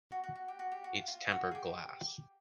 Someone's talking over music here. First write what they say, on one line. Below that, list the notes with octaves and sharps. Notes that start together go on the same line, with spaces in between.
It's tempered glass.
F#4
F#4
F#4
G4
F#4
G4
F#4
F4
F4
F#4
G#4
G4